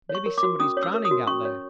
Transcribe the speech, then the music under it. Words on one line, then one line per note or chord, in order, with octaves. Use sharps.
Maybe somebody is drowning out there.
C#5
C#6
A#4
D6
F#4
C#4 D#6
C#5
E6
A#4
D#6
F#4
C#4 C#6
C#5